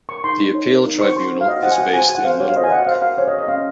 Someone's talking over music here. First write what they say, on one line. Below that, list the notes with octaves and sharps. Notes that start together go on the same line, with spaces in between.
The Appeal Tribunal is based in Little Rock.
A#4 C#6
D#4 C6
D#4
C#5
A#4
D#4
C5 C#6
F#4 C6
C5
F5
F#4 D#5
C5 F#5
G#5
F#4 F#5
C5 G#5
G#5
F#4 F#5
C5 F5
F#4 C#5
F5
C5 D#5
G#5
F#4 F#5
C5 F5
F#4 F5
C5 C#5
D#5
F#4
D#5
C#4 F5